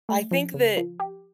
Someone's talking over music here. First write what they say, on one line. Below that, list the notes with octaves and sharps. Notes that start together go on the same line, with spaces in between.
I think that
A3
F3
C#3
F3
G4